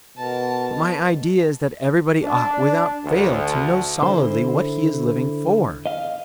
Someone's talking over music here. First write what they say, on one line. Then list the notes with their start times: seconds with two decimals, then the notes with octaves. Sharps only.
But my idea is that everybody ought, without fail, to know solidly what he is living for.
0.17 B2 A#4 A5
2.23 D4
3.05 D2
4.02 D3 E4 C5
5.86 D#5 F5